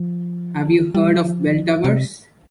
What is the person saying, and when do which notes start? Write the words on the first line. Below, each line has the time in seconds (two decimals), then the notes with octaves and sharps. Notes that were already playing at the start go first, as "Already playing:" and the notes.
Have you heard of bell towers?
Already playing: F3
0.95 G3
1.17 F3
1.84 C3